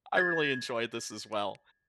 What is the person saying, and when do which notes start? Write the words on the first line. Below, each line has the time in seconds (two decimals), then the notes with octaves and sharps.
I really enjoyed this as well.
0.17 G#6 A6